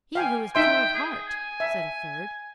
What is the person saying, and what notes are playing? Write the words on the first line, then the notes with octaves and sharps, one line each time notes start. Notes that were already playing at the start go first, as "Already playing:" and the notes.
"He who is pure of heart," said a third.
F5 G5 G#5
D#4 E5 G5 C6
G#4
G#5
E5